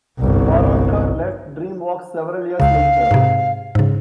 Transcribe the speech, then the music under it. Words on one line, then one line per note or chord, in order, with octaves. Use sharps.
Waronker left DreamWorks several years later.
G1 C2
C#2 C#3 F5
G#2 C3
G#2 C#3